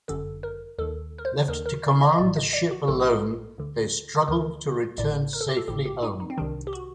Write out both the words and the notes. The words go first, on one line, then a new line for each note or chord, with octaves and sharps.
Left to command the ship alone, they struggle to return safely home.
G1 F#2 D3 A4
A#4
D#2 D#3 A4
A#4
C5
D#2 D#3 A#4
A#4
D5
D#5
D#5
A#1 A2 D5
D#5
D5
F#4
A#1 A2 A4
G4
A4
D2 D3
A4
D2 D3 A#4
A1 A2 D5
A#4
A4
G4
A4
A1 A2 G4
G4
D#4
D#4
C4
C2 C3 D#3 D4
G4
F#4